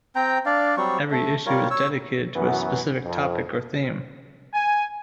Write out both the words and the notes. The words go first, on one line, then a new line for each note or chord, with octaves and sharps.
Every issue is dedicated to a specific topic or theme.
C4 G5 A#5
D4 D5 F5
F#3 G3 C4 C#6
A3
G3 F4 A#4 C#5
C#5 E6
F#2 E3 B3 F#4
F2
G#5